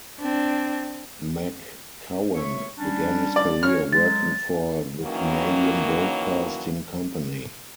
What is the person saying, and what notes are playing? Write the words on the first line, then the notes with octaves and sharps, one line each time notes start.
McCowan began his career working for the Canadian Broadcasting Company.
C4 D4
C#5 E5 C#6
G3 C#4 D4
D5
C#4 F#4 C#5 F6
F#3 G#3 A6
B2 D#3 E3 F#3 A#3 C#4